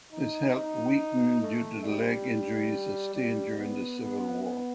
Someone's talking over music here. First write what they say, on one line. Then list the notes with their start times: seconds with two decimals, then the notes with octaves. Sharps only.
His health weakened due to the leg injury he sustained during the Civil War.
0.12 D#4
0.55 D#4
1.41 A3
1.84 G3
3.14 G3
3.58 B3
4.00 B3
4.43 B3